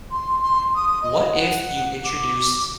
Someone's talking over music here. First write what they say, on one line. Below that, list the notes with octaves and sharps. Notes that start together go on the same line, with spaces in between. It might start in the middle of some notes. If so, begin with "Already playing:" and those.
what if you introduced
C6
C6
D#6
D#5
F#5
D6